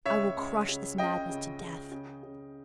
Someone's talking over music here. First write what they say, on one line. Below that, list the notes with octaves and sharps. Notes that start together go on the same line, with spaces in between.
I will crush this madness to death.
C#2 C#5 E5
C#2
C#3
C#2 D#5 G5
C#3
C#3
C#3
C#3